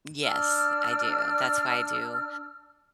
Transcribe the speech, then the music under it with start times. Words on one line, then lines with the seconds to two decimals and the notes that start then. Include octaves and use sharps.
Yes. I do. That's why I do,
0.22 D4 E6 F6